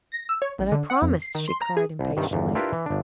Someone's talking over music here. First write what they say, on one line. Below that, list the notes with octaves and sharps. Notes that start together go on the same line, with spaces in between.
"But I promised!" she cried, impatiently.
A#6
E6
C#5
A1
D3
F#5
F2
C7
D#3
C6
A#5
G#4
C2
G2 C3 D#3
G1 E2
D4 E4 F4 G4 A#4 B4
E3
G1 D4